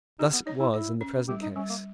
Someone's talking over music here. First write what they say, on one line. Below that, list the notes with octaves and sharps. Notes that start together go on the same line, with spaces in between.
Thus it was in the present case.
D#4 G4
B3
D#4 C#5
E4
E4 C#5
C#4
G3 G4
D#4
G3 C#4
A#3